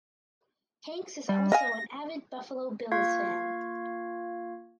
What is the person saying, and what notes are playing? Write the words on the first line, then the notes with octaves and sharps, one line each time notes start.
Hanks is also an avid Buffalo Bills fan.
G3
D#5 F5 G#5 A#6
A#3 F4 F5 C#6 G#6